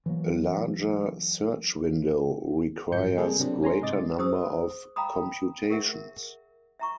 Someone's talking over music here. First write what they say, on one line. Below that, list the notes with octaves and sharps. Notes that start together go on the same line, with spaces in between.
A larger search window requires greater number of computations.
E3 F#3 A#3
G1 G#2 F3 G6 C#7
C3 G3 A#3 E4 G#4 A4
C3 F#3 C4 D4
C#4 G#5 A#5 C6
G#2 C3 D#5 D6 A6
G#4 C5 D#6 E6
F5 G5 A#5 B5 D#6
G#4 A#4 E5 F#5
E5 A#5 C#6